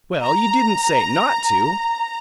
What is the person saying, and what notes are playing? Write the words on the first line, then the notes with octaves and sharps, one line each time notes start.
"Well, you didn't say not to."
A#5